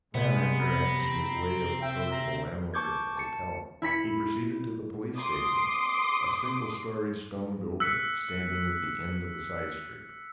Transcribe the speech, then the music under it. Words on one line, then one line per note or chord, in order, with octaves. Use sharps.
Then, after asking his way of the sociable landlord of the hotel, he proceeded to the police station, a single-storied stone building standing at the end of a side street.
C3 G#3 B3
A#5 B5
C4
E5 G5
A#5
A5 C#6 D6 G6 G#6
A5 C#7
E4 B5 B6 C#7
C6 D6 D#6
E6 F#6 B6 C#7